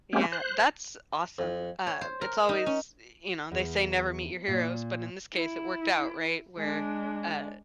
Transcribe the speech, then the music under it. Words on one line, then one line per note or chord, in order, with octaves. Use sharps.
Yeah, that's awesome, uh, it's always, y you know, they say "Never meet your heroes," but in this case, it worked out, right, where, uh
G#3 A#3 C4 C#4 G4
C5 F#6
F2
C#5
C5
A#4
D#4
C#4
E2
A#2
E4
G#3 D4